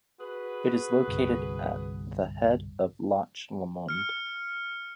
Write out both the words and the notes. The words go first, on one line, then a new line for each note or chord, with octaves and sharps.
It is located at the head of Loch Lomond.
F#4 G#4 B4
G1 C2
F6 C#7